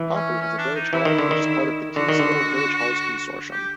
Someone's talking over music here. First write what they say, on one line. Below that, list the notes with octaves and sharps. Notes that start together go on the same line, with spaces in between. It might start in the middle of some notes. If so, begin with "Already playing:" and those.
Copley has a Village Hall which is part of the Teesdale Village Halls' Consortium.
Already playing: E3
C#4
C#4
D4
D#4
E3 E4
D#3
D3
D#3
D3 F#4
D#3
D3
G4